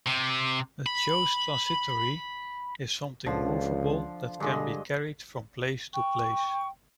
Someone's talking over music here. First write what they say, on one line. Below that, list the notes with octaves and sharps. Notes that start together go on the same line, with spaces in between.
A chose transitory is something movable, that can be carried from place to place.
C3
B5
C#2 D3 F3
G2 D3 G#3 D#5
G5 C#6